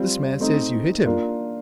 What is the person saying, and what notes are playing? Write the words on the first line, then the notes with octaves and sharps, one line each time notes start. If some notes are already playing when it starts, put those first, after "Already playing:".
'This man says you hit him.'
Already playing: G3 C4 F4
A3 C4 D#4
A#3 D4 F4